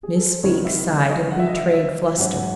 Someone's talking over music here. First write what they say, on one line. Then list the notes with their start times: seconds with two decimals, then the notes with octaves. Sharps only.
Miss Weeks sighed and betrayed fluster.
0.03 G#4
0.16 A4
0.30 C5
0.43 C#2 C3 D#3 F#3 C#5
0.65 E5
1.08 D#5
1.31 F#5
1.39 E5
1.48 D#5
1.56 E5
1.74 E5
2.17 G#2 F#3 C#4 F#5
2.33 F#5